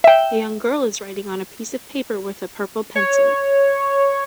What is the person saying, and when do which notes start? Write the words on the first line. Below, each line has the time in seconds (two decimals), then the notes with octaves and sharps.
A young girl is writing on a piece of paper with a purple pencil.
0.04 E5 G5
2.95 C#5